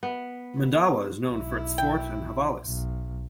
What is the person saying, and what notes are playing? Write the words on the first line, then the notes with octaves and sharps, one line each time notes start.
Mandawa is known for its fort and havelis.
B3
B1 E4
G5
B1